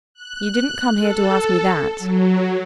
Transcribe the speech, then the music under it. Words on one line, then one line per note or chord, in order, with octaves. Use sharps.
You didn't come here to ask me that.'
F#6
A4
F#3